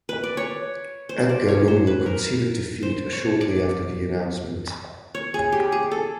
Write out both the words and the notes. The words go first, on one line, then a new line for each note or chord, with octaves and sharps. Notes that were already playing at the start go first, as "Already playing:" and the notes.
Edgar Lungu conceded defeat shortly after the announcement.
B4
D5
C#5
C5
D5
C#5
C5
B4
A#4
C5
C#5
D5
C#5
G#4
G4
G#4
A4